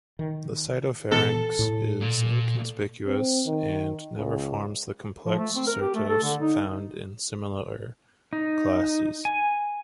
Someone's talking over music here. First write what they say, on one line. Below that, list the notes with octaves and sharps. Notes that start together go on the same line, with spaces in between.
The cytopharynx is inconspicuous and never forms the complex cyrtos found in similar classes.
D#3
A#2 E3 B3 A4
A2
A#2
C4
D#3
C#2
F3
A3
C4
A#4
G4
A3
A4
D3
D#4
D#4
G#5